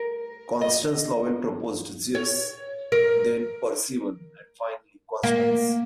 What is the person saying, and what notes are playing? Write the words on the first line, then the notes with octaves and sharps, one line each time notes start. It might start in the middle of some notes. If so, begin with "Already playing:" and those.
Constance Lowell proposed "Zeus", then "Percival" and finally "Constance".
Already playing: A#4
D#5
C#5
A#4
A#3